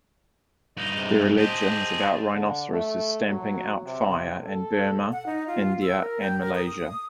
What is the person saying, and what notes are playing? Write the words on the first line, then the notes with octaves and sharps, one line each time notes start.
There are legends about rhinoceroses stamping out fire in Burma, India, and Malaysia.
G2 D#4 D#5
C3 G#3
G4 G#4 C5 D#5 A5
D3
A3
F#3
C3
A4
F#5
D#4
F4
E6
A#4
G5
A#4
D#6